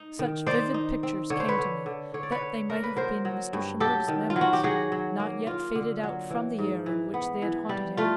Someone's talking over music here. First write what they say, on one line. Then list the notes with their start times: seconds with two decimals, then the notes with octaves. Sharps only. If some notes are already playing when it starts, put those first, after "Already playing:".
Such vivid pictures came to me that they might have been Mr. Shimerda's memories, not yet faded out from the air in which they had haunted him.
Already playing: D#4
0.19 D#3
0.46 D#4 C5 D5
0.74 D#4
1.03 C4
1.30 D3 C#5
1.40 C5
1.48 B4 C#5
1.58 D3
1.86 D3
2.14 D3 C#5
2.23 D5
2.32 B4 C#5
2.41 D3
2.70 A#3 A#4
2.83 B4
2.96 F#3 A#4 C5
3.25 F#3
3.53 G2
3.80 F#3 G4 A4
4.08 D#3
4.30 F4
4.36 F#3
4.41 F#4
4.53 G4
4.64 F#3 F#4 G#4
4.92 F#3
5.20 A#3
5.47 A#3 F4
5.75 D3
6.03 F#3
6.31 E3
6.59 G#2
6.86 E3
7.14 B3
7.42 E3
7.69 G3
7.97 A3 F4